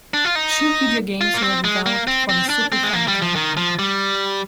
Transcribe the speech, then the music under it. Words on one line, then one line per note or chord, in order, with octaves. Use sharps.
Two video games were developed for the Super Famicom.
D4
F4
D#4
F4
A#3
C4
G#3
A#3
C4
C4
D4
C4
G#3
A#3
G3
F3
D#3
F3
G3